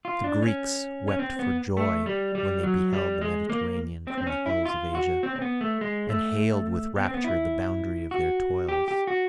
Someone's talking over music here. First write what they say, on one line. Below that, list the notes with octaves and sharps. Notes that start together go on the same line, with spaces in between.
The Greeks wept for joy when they beheld the Mediterranean from the hills of Asia, and hailed with rapture the boundary of their toils.
F4
D4
C#4
C#4
C4
B3
A3
G3
G3
F#3
G3
G#3
A#3
C4
C4
C#4
E4
F4
F#4
C4
C4
B3
A3
G#3
A3
B3
C4
B3
E4
F#4
G4
G4
F#4